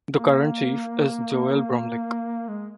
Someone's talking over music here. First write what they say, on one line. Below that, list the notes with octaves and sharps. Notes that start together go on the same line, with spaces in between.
The current Chief is Joel Brumlik.
A#3
G#3